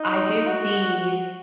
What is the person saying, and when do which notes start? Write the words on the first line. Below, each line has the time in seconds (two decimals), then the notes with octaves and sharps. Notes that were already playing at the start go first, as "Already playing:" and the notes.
I do see,
Already playing: D#4
0.47 F#4